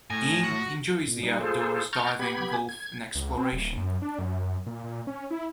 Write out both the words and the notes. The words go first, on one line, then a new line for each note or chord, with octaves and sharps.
Ying enjoys the outdoors, diving, golf and exploration.
A2 G#5 A#6
F#4
A#2
G3 D#4
F4 G#4 A4 C5
A#5 C#6 F6 G6 A6
B3 G4 B5 G#6
G#6
C#2
C4
D1
F#2
D4
F#2
A#2
A#2
C#4
E4